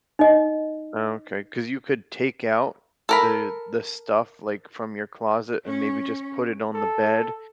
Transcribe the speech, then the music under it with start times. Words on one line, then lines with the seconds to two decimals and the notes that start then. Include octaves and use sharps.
Oh, okay, 'cause you could take out the the stuff, like, from your closet and, maybe, just put it on the bed
0.19 D#4 D#5
3.09 A4 A#4 B5
5.65 C#4
6.74 A4